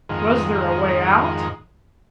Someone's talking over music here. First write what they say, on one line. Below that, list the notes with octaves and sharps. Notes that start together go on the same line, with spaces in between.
Was there a way out?
F2 G#2 D#3